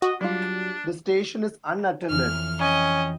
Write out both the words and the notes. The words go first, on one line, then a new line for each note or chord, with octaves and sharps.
The station is unattended.
F#4 D#5
F#3 G3 D4 F4
F2 E3 C4 F6
C#4 D#5 G5 B5